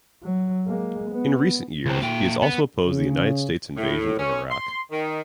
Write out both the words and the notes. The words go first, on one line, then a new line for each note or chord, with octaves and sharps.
In recent years, he has also opposed the United States' invasion of Iraq.
F#3
G#3 A#3
B3
C#2 C4
A#2 G5
B3
C#3
A2
C#4
C6
D#3